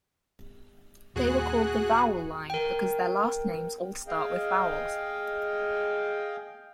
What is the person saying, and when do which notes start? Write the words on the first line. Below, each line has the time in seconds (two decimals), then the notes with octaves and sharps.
They were called the "Vowel Line" because their last names all start with vowels.
1.16 D#1 A#2 F#4 G#4 F#6
2.50 A#4 G5
4.08 G#4 D#5 F5 G5